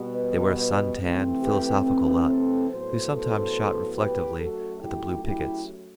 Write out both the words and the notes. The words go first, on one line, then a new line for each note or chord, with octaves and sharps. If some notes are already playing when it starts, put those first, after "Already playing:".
They were a sun-tanned, philosophical lot, who sometimes shot reflectively at the blue pickets.
Already playing: B2 G3 B3
B4 D#5
B4 D#5
C3 E3 A3 C4
G4 B4
G4 B4
A4 C5
A2 F#3 B3 A4 C5
A4 C5
G4 B4
F#2 F#3 A3 F#4 A4
E4 G4
E4 G4